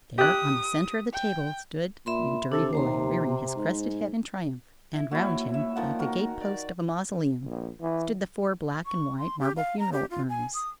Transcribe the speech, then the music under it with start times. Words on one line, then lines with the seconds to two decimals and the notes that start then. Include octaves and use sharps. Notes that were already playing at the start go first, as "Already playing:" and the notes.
There, on the centre of the table stood You Dirty Boy rearing his crested head in triumph, and round him like the gate posts of a mausoleum stood the four black and white marble funeral urns.
0.18 G4 D#6 F#6
1.13 G5
2.06 A#2 E5 B5 C6
2.52 C3 D4 A4
2.73 D#2 C3 C5 A#5 C6
3.56 G#2
4.94 E4
5.11 G#2 A#3 E4 F#4 C#5
5.54 E5
5.76 D#3 F3 F#5
5.99 F#4 A#4
6.41 D5
7.44 A#1
7.81 E3
8.86 C#6
9.18 C6
9.40 G4
9.57 F5
9.79 A#5
9.92 G4
10.10 F4
10.29 G#5
10.55 D#6